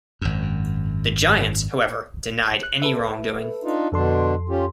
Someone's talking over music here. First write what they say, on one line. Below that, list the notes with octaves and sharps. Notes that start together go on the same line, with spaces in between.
The Giants, however, denied any wrongdoing.
G#1 F#2
F#6
A4 B4 E5
D4 D#4 F4
F2 B2 D3 D4 A4 C6
C#4 F4 G4